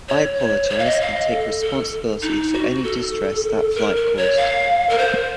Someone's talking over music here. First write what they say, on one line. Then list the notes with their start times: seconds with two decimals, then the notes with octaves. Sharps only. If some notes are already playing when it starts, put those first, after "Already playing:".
I apologize and take responsibility for any distress that flight caused.
0.09 C#5
0.39 C#5
0.64 C5
0.70 C#5
0.79 F5
0.85 D#5
1.01 F5
1.16 D#5
1.31 A4
1.61 A4
2.22 D#4
2.53 F#4
2.84 A4
3.76 A#4
3.96 A#4
4.17 C#5
4.37 F5
4.89 A#4
4.98 C5